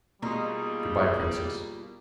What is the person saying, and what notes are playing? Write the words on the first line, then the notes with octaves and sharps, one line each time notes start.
Good-bye, Princess.
B2 G3 A#3 D#4 F4 G#4